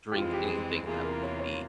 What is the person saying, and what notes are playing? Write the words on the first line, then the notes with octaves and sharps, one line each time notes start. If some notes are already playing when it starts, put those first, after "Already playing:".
drink anything that would be
G4
F2 E3 G#3 C4 F4
G4
G#4
G4
E2 C3 E3 A#3 F4 G#4
A#4
C#5
C#5